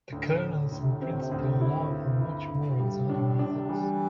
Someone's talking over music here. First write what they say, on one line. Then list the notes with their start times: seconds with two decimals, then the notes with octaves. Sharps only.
The kernels in principle allow for much more exotic methods.
0.12 D2 A2
0.42 D3
0.72 D2 A2
0.82 C3
0.92 A2
1.02 C3 C4
1.12 A2
1.22 C3
1.31 D2 A2
1.42 C3
1.52 A2
1.61 C3 E4
1.73 A2
1.91 G2 E4
2.21 E4
2.50 D2
2.80 G3
3.09 A2 D4
3.29 A2
3.39 A2 D4
3.50 C3
3.69 E3 G3